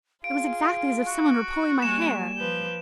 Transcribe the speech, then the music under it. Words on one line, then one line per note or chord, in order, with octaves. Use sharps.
"It was exactly as if someone were pulling my hair."
F4 G#4 F5 D7
F#4
G3 A#3 G#5 E7
F3 B4 G6